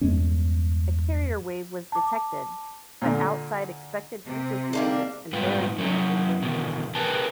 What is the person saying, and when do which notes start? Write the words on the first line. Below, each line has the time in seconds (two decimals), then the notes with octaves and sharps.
A carrier wave was detected, but outside expected frequency limits and varying in wavelength.
0.01 E2 G2 G#3 C#4
1.92 A5 D6
3.02 A#2 D3
4.27 C3
4.73 G3 A#3 D4 D#4 G#4
5.33 G#2 G3 F4 B4
5.78 F#3 C#4 E4
6.42 B2 D#3 E3
6.95 G4 G#4 A#4 B4 G#5 A5